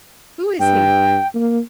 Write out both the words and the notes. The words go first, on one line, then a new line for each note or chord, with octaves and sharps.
Who is he?'
G2 G5
A#3